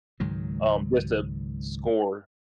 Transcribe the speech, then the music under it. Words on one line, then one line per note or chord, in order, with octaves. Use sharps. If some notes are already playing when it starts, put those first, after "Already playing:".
um, just to score.
C#2 G#2 D#3 F#3